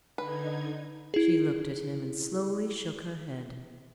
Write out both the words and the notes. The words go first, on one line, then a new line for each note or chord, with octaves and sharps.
She looked at him, and slowly shook her head.
D3 D#4 B4 G#6
E4 G#4